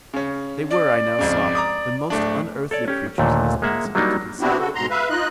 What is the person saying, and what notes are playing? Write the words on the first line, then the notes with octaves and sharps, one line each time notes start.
They were, I now saw, the most unearthly creatures it is possible to conceive.
C#3 C#4
D5
G#1 F2 C#3
A#5 D6 D#6
D1 A3 D4
A4 C#5 D5
C#4 G4
D#2 A#2 D3 A3
G#3 A#3 E5 F#5
F#3 G3 A#3 D4 D#4
B3 C4 D4 E4 F#4 G4
C#3 F#4 A4
G#2 B2 A#5 C6
B4 E5 F5
D#4 F4 D#5 F#6